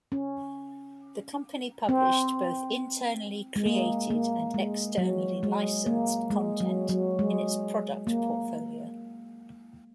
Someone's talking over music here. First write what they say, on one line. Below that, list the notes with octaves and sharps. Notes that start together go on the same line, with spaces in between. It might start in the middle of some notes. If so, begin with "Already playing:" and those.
The company published both internally created and externally licensed content in its product portfolio.
C#4
C4
G#3
A#3
A#3
G#3
F#3
G#3
A#3
G#3
F#3
F#3
G#3
A#3